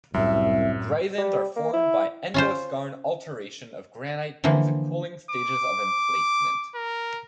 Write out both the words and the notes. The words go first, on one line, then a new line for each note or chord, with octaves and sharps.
Greisens are formed by endoskarn alteration of granite during the cooling stages of emplacement.
C2 F#2 A2 G3 E5
G3
A#3
E4
C#4 F4 C5
D3 E3 F3 A#3
D6
A#4